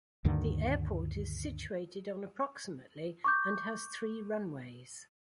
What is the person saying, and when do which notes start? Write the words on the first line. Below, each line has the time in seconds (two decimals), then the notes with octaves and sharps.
The airport is situated on approximately and has three runways.
0.25 D2 G2 D3 D#3
3.24 C#6 D6 G6